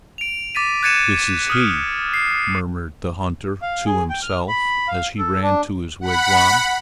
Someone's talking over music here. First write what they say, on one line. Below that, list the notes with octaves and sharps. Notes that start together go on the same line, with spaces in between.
"This is he!" murmured the hunter to himself as he ran to his wigwam.
D7 F7
D6 A6 B6 D#7
F#6 G#6 A6 C#7 D#7 E7
D#6 F6
C7
F5
G#4
G5
F6
B5
F5
A4
D4
F#5 B5